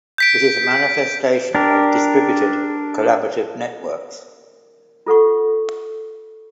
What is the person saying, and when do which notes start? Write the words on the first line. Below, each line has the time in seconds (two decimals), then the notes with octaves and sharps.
It is a manifestation of distributed collaborative networks.
0.18 G6 B6 D7
1.55 D4 G4 A#4
5.06 F4 A4 F#5 C#6